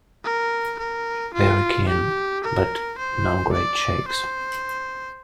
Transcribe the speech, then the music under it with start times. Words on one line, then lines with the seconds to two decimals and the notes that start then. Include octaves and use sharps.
Very keen, but no great shakes.
0.25 A#4
0.79 A#4
1.34 F4
1.89 G4
2.44 A#4
2.98 C5
3.53 D5
4.08 C5